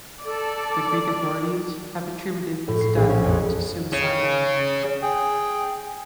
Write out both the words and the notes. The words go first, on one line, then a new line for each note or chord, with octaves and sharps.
The Greek authorities have attributed his death to suicide.
A4 D5
A2
C7
A#1
C#4
F2
G#4 C#5
G#4 G5